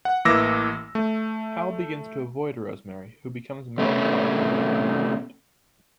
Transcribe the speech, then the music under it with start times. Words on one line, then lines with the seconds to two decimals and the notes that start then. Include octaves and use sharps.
Hal begins to avoid Rosemary, who becomes melancholic without him around.
0.05 F#5
0.25 A1 E3 A#3 D6 E6 A#6
0.95 A3
3.78 C3 A3 B3 C#4